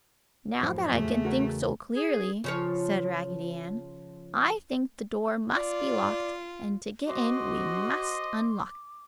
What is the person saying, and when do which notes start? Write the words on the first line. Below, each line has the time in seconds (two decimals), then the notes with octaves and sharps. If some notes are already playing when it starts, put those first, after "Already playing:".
"Now that I can think so clearly," said Raggedy Ann, "I think the door must be locked and to get in we must unlock it!"
0.63 F#2 A2 F3
0.92 E2 C#3 A3
1.25 F#4 A#4 C#5
1.95 G#4
2.44 C#3 F3 C#5
5.57 F4 D5
7.08 F#4 C5 D#5 C6 D6